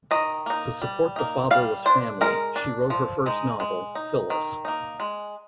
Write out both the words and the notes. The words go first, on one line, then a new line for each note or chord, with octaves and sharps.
To support the fatherless family, she wrote her first novel, "Phyllis".
D#3 D#5
A#3 D#4
G3
A#3 D#4
G3 F5
D4 C5
G#3 A#4
D4
F3
G#3 D#4
G#3
D#4
D#3
A#3 D#4
G#3